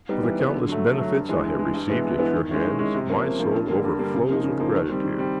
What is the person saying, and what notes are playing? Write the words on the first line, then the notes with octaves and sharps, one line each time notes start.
For the countless benefits I have received at your hands, my soul overflows with gratitude.
G3 B3 D#4
E3
G3 B3 D#4
D3
F#3 A3
D3
F#3 A3
G2
E3 G#3
G2
E3 G#3
G2
E3 G#3 B3 E4
G2
E3 G#3 B3 E4
D#3
G#3 C#4 E4
D#3
G#3 C#4 E4
C3
F3 A#3 C#4
C3
F3 A#3 C#4
G2
D3 G3 A#3
G2
D3 G3 A#3
C#3
F3 A#3 D#4
C#3
F3 A#3 D#4
D#3
G3 C4
D#3
G3 C4